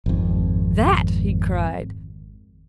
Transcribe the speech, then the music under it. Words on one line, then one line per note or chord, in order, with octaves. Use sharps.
"That!" he cried.
G#1 F2